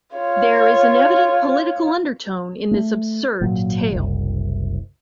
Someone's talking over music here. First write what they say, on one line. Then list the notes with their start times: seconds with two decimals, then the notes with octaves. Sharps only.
There is an evident political undertone in this absurd tale.
0.16 F4 C#5
2.71 A3
3.41 G#1 A#2 F#3
3.91 F#1 C2